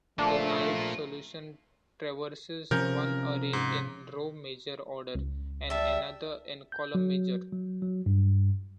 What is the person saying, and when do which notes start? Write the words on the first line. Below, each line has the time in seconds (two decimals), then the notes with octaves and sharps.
The naive solution traverses one array in row-major order and another in column-major.
0.19 A#1 F3 A3 A#3 D4 F4
2.71 C3 F3 C#4 A#4 G6
3.53 G#2
5.15 C#2
5.70 G3 E5 A5
6.72 G6
6.95 F#3
7.52 F#3
7.82 F#3
8.06 G2